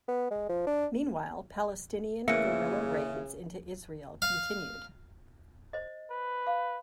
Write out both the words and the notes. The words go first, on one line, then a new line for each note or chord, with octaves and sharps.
Meanwhile, Palestinian guerilla raids into Israel continued.
B3
G#3
F3
D4
C#3 E3 A#3 G#4 E5 F5 C#7
F5
C5 D#5
B4
F5